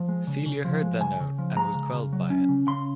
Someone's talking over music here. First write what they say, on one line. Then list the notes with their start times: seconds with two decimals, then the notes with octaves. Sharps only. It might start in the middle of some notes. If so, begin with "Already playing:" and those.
Celia heard that note and was quelled by it.
Already playing: F3
0.09 G#3
0.27 C#3
0.46 C#3
0.65 F3
0.83 G#3
1.01 C#3 G#5
1.20 C#3
1.38 F3
1.56 G#3 A#5
1.75 C#3
1.93 C#3
2.13 F#3
2.30 C#4
2.49 C#3
2.67 C#3 C6